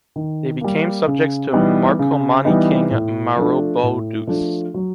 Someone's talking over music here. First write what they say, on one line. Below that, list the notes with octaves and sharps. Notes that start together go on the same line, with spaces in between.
They became subjects to Marcomanni king Maroboduus.
D#3
G3 A#3
C#3
E3 G3 B3 D#4
C#3
E3 G3 B3 D#4
A2
F3 A3 D4
A2
F3 A3 D4
F#3